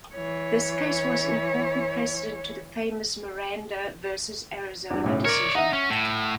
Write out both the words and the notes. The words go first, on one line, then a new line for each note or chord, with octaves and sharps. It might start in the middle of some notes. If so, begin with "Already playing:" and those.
This case was an important precedent to the famous "Miranda versus Arizona" decision.
E3 C#5
E2 G2
B1 A2 C#3
A#4 C#5 D5
D#4 E5 F#5
C#4
A2